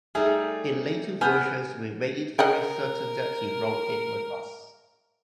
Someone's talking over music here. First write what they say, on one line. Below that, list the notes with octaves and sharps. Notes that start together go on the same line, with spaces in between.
In later versions, we made it very certain that he wrote it with us.
G3 A3 D#4 G#4
B3 G#5 F6 G6
A#4 D#5 F#5 G5